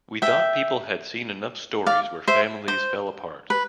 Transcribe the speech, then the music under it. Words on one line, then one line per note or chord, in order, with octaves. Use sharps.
We thought people had seen enough stories where families fell apart.
E5 G5
D5 F5
C5 E5
C5
B4